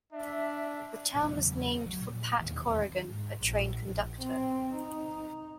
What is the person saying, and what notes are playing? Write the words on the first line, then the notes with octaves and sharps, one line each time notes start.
The town was named for Pat Corrigan, a train conductor.
D4 E5
A1 A#2 D3
E2 C#3 F#3
D#3 F#3
A#2
E1 D#2 D#3
G#2
A#1
A#1
C4
D#4